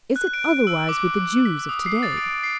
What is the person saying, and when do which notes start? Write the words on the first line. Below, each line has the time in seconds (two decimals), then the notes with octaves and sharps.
Is it otherwise with the Jews of to-day?
0.16 F#6
0.34 D7
0.67 E6
0.89 D6
1.04 D6
1.45 B6
1.69 D#6
1.86 C7
2.03 A6
2.17 D7
2.43 C7